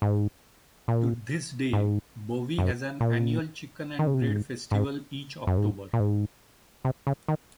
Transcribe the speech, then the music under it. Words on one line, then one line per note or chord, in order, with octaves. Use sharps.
To this day Bowie has an annual Chicken and Bread Festival each October.
G#2
A#2
G#2
F#2
A#2
D#3
C#3
C3
A#2
G#2
G#2
F#2
G#2
A#2
G#2
C3
C#3
D#3